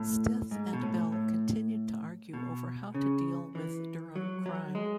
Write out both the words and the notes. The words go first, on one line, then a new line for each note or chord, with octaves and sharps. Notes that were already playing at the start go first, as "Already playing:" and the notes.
Stith and Bell continued to argue over how to deal with Durham crime.
Already playing: A2
G#2
B2
A2
A2
B2
C#3
E3
F#3
F#3
G#3